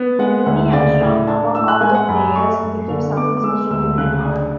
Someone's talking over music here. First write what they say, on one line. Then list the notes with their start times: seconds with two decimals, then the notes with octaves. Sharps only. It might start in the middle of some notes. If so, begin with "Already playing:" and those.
And Louis Armstrong among all the players, became something special to me.
Already playing: B3
0.19 G#3 F#5
0.46 D2 F#5
0.73 C#3 D5
1.01 A2
1.27 D4 A5
1.55 A2 E6
1.68 F#6
1.81 G#3 G#5
1.95 F#5
2.08 F#2 B5
2.36 A3 C#6
2.62 F#2
2.89 D3
3.16 B3 D6
3.37 D6
3.44 G#3 E6
3.70 D2 E6
3.98 C#3 F#6
4.25 D4